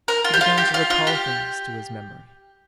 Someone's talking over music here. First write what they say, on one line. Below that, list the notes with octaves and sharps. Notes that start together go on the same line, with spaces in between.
He began to recall things to his memory.
A#4
F4
G4
F4
G4
F4
F4
G4